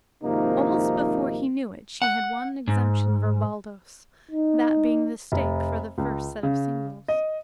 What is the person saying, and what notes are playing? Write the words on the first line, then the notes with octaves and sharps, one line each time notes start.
Almost before he knew it she had won exemption for Baldos, that being the stake for the first set of singles.
G#1 C3 F3 A#3 D#4
F#5
G#2
D#4
F1
C#2
C#3
D#5